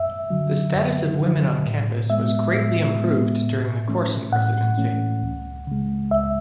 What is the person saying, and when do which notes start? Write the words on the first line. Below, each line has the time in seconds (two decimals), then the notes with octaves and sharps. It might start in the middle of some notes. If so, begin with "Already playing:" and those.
The status of women on campus was greatly improved during the Corson presidency.
Already playing: F#2 E5
0.30 D3 F#3
0.75 F#2
1.20 D3 F#3
1.65 A2
2.10 G#3 B3 E5
2.55 A2 E5
2.99 G#3 B3
3.43 A2
3.88 E3 A3 C#4
4.32 A2 F#5
4.78 E3 A3 C#4
5.22 C#2
5.67 C#3 G#3
6.11 C#2 E5